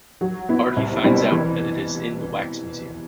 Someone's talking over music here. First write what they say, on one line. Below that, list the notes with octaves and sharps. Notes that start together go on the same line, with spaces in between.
Artie finds out that it is in the wax museum.
F#3
B3 E4
C2
B2 G3 C4 E4
E3